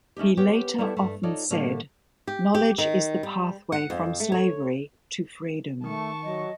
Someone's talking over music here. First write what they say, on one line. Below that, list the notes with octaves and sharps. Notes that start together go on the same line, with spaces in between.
He later often said, knowledge is the pathway from slavery to freedom.
A3 C#4 D#4 G4
B3 C#4 G4 B4 C#5 G5
G3 A3 B3 E4 A4
G2 A#2 A3
D#4 F4 A4 C#5 D5
A2 D3 G3 A3 A#3
G4
G4
D#3
G3
F#5
F2
A3
C#5
D#3 A3 A5 C#6
F#3 D#5